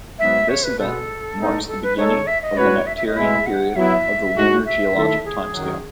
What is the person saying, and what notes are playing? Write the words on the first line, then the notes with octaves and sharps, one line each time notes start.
This event marks the beginning of Nectarian period of the lunar geologic timescale.
G#2 F#3 B3 E5
C#5
B4
B2 G#3 B3 A4
A2 G#3 B3 D#4
A4
B4
G#3 D#4 A4 C#5
E5
D#5
A2 G#3 C#4 F#4 B4 C#5
E5
E5
D#5
A2 G#3 B3 E4 E5
F#5
F#3 B3 E4 E5
A2 G#3 D#4 F#4
E5
D#3 A3 E4 A4
G#4
F#2 D#3 F#3